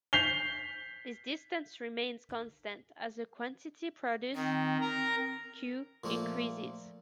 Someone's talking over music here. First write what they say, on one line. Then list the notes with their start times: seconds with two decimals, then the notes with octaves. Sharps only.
This distance remains constant as the quantity produced, Q, increases.
0.13 G6 B6 C7 F7 G7
4.35 D#3 C4
4.81 A#4 A#5
6.04 A#2 F3 A3 A#3